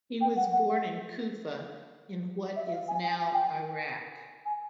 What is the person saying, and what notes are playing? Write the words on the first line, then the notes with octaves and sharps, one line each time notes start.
He was born in Kufa in what is now Iraq.
G5
F#5
F#5
E5
E5
F5
G#5
G#5
G#5
G5
G#5
G#5